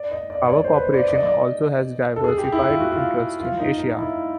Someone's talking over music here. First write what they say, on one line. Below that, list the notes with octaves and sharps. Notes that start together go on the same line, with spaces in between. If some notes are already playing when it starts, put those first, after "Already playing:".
Power Corporation also has diversified interests in Asia.
Already playing: D5
D#5
D5
D5
C#5
C5
B4
C5
D5
D5
D#5
D5
A4
G#4
G4
E4
F4
F#4
F4
F4
D#4
D#4
E4